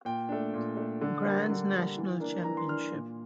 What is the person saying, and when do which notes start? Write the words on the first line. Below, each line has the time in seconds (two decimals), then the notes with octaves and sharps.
Grand National Championship.
0.05 A#2 G5
0.29 A3 D4
0.54 A#2
0.77 A3 D4
1.01 D3
1.25 G3 A#3
1.50 D3
1.73 G3 A#3
1.97 E3
2.20 A#3 D4
2.44 E3 A#5
2.57 C6
2.69 A#3 D4 F6
2.92 A#2